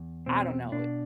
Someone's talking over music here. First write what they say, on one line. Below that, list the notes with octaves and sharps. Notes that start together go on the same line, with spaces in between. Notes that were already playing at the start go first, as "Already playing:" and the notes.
I don't know.
Already playing: E2
B2 C4
B2 D4